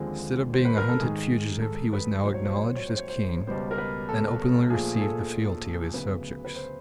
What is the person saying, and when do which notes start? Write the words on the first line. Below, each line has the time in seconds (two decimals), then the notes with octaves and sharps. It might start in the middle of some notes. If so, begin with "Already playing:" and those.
Instead of being a hunted fugitive he was now acknowledged as king and openly received the fealty of his subjects.
Already playing: D#2 D3 F3 G#3 C4
0.53 C5
0.65 B4
0.77 A#4
0.89 A4
1.00 G#2 D#3 G#3 G#4
1.62 A4
1.93 B4
2.24 C2 A#2 F#3 C5
2.34 C#5
2.45 C5
2.56 C#5
2.66 C5
2.77 C#5
2.87 C5
2.97 C#5
3.09 C5
3.47 C#2 B2 G3 B3 C5
3.71 A#4
3.78 B4
4.09 A4
4.70 A#2 F3 A3 G#4
4.96 G#4
5.01 A4
5.94 D2 C#3 F#3 B3 B4
6.45 B4
6.55 C5